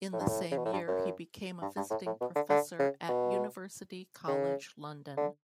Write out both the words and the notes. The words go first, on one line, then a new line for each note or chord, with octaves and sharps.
In the same year he became a Visiting Professor at University College London.
A2
G2
A2
C#3
B2
A2
G2
F#2
G2
G2
A2
A2
B2
D3
D3
C#3
B2
C#3
D3